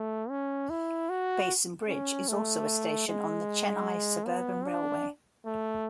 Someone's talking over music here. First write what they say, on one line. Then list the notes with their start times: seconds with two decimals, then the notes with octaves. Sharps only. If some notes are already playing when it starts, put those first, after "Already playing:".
Basin Bridge is also a station on the Chennai suburban railway.
Already playing: A3
0.30 C#4
0.70 E4
1.10 F#4
1.89 C#4
2.29 A3
3.08 G#3
4.27 B3
4.67 D4
5.46 A3